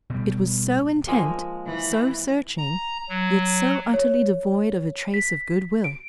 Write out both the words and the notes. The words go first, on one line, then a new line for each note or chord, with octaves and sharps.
It was so intent, so searching, yet so utterly devoid of a trace of good will.
B2 G3
F3 G#3 A#3
E3
A#5
F#3
C#5
B6
D7